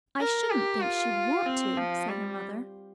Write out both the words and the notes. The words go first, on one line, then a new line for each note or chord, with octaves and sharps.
"I shouldn't think she'd want to," said her mother.
A#4
G4
F4
C4
F3
G3